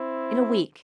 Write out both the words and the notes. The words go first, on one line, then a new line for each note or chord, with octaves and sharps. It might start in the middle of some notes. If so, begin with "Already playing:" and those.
'In a week.
Already playing: C4 E4